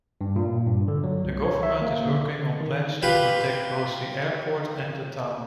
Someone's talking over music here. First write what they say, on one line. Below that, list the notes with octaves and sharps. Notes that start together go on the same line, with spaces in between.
The government is working on plans to protect both the airport and the town.
G2
A#2
G2
D3
F#3
C2
C#5
E5
A#3
D3
D#3
F4 G4 B4